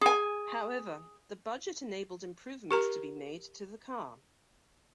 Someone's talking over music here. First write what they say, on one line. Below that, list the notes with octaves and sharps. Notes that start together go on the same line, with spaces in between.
However, the budget enabled improvements to be made to the car.
G#4 G#5
G4 A#4 A#5